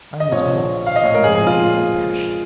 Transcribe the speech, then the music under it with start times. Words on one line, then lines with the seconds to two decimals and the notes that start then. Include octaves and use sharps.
I almost mocked the sound aloud in my passion.
0.20 D#5
0.32 A#1 A#2 F3 C#5
0.86 F5
0.96 D#5
1.05 C#5
1.14 A#4
1.24 F2 C#3 F3 G#3 G#4
1.35 G#4
1.47 F4